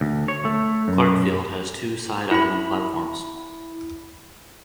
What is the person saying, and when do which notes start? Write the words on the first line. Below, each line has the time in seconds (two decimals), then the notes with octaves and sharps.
Clarkefield has two side island platforms.
0.01 D2
0.28 C#5
0.45 A3
0.88 F#2
2.31 E4 B5